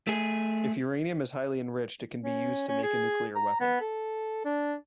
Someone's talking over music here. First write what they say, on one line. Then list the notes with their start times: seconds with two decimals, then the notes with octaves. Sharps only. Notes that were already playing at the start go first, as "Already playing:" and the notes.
If uranium is highly enriched, it can be used to make a nuclear weapon.
0.07 A3 G#4
2.23 C#4
2.68 C#4
2.83 G#4
3.36 A#5
3.60 B3
3.81 A4
4.45 D4